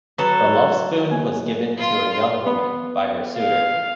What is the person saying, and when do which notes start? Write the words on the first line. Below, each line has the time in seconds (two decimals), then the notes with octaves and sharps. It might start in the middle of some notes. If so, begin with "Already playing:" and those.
The lovespoon was given to a young woman by her suitor.
0.18 F#3 A4 B4
1.11 A#3 B3 G#5
1.78 F4 C6
2.46 B3
3.38 F5